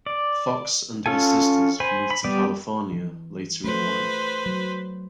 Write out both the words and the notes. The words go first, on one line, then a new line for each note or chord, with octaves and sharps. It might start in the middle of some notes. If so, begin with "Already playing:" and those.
Fox and her sisters moved to California later in life.
D5
C#4 F4 A4 G#5
C5 G#5 B5
B5
G3 B3 G4 D5
E3
A3 F#4 B4 C5
F#3